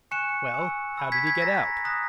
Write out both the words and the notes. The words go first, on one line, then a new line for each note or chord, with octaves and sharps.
"Well, how did he get out?"
G#5 C#6 F#6 C#7 E7
G#5 C#6 E6
B5 E6
G#6 B6
G#6 B6
A#5 E6 A#6
A#5 D#6 F#6 A#6